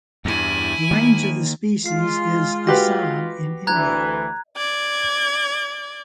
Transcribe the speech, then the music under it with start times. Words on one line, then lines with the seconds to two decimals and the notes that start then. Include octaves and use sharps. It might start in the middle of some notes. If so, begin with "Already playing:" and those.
The range of the species is Assam in India.
0.25 E2 G2 E4 G#5
0.91 D#3 A#3
1.86 G#3 F4 C7
2.67 F#4 G4 B4 A#6
3.67 D2 E3 A#5 F#6 G#6
4.57 D5 G#6